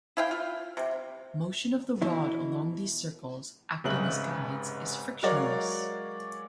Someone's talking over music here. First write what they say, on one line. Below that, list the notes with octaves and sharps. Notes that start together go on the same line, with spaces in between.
Motion of the rod along these circles, acting as guides, is frictionless.
E4 F5 G5
F4
C3
B2 E3 E4
F1 G#2 C#3 E5 F#6 F#7
F#3 G#3 A#4 C#5 D5 F5